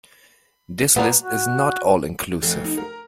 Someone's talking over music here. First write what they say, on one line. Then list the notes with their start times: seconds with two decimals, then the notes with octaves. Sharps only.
This list is not all inclusive.
0.96 A#2 G3 B3 D4 A#5
1.21 F#4
2.42 F1
2.64 D#4
2.77 A#4